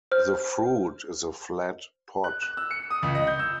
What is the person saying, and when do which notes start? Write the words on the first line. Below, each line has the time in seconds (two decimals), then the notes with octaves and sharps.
The fruit is a flat pod.
0.12 C5 F6
2.24 F#6
2.42 F#6
2.57 E6
2.71 C#7
2.90 D#6
3.02 C#2
3.15 D#5
3.27 G6
3.39 E6